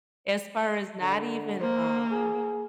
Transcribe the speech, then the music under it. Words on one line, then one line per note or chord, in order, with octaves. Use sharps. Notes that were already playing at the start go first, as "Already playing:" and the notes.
as far as not even, um,
D3
A#3 C5
G#4